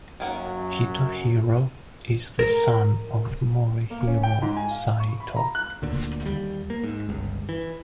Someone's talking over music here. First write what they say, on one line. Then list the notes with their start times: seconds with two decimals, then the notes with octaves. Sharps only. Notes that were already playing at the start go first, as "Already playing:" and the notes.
Hitohiro is the son of Morihiro Saito.
0.20 F#2 D#3 F#3 A#3 F#5
2.39 A#4
3.90 A#3
4.07 C#4
4.23 G5
4.42 G#2
4.57 G#5
4.71 F5
5.00 C#6
5.20 B5
5.36 A#5
5.55 F#6
5.82 D2 A#2 D3
6.26 D#2 G3
6.70 A#3
6.84 G#2
7.09 G1 C#2
7.49 E3